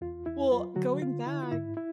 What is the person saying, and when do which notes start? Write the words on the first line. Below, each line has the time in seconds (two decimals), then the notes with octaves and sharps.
Well, going back
0.01 E2 F4
0.26 E2 E4
0.51 F#3 F4
0.76 D3 F#3 F#4
1.02 D3 F4
1.26 D3 E4
1.43 F4
1.52 G#2 E4
1.77 E4